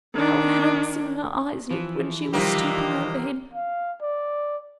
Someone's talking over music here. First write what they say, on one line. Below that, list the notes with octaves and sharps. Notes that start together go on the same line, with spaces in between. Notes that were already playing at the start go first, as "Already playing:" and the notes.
How handsome her eyes looked when she was stooping over him!
D#3 D4
E3 F3
D#2 C3 D#3 F3 G3 A#3 G4 D#5
F5
D5